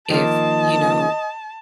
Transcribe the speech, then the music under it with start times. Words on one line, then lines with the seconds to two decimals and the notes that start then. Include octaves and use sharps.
if, you know,
0.11 D#3 F3 A#3 D#5 A5